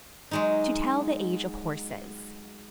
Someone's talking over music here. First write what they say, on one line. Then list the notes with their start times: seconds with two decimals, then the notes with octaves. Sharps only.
To Tell the Age of Horses.
0.31 F#3 G#3 D#4